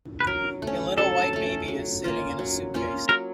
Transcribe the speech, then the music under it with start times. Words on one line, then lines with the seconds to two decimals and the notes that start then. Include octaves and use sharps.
A little white baby is sitting in a suitcase.
0.20 B4
0.27 F#3 A#4
0.62 A3
0.67 C#4
0.98 F#3 A4
1.33 A3 C#4
1.68 F#3
2.04 A#3 C#4 F4
2.39 F#3
2.74 A#3 C#4 F4
3.09 F#3 A#4